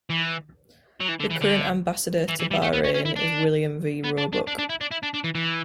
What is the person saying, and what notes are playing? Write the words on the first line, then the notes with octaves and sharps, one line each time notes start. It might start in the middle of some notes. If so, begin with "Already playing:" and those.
The current Ambassador to Bahrain is William V. Roebuck.
E3
F#3
E3
D3
E3
D3
E3
E3
G3
A3
B3
C#4
C#4
E4
D4
B3
D4
D4
D4
D4
E4
D4
E4
D4
D4
E3
E3